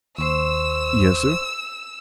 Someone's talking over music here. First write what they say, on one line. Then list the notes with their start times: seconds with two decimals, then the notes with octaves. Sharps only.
"Yes, sir."
0.18 D#2 C5 C6 C#6 E6